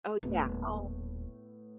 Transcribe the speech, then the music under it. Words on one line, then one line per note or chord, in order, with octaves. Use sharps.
Oh yeah, oh
D#1 A2 A3 B3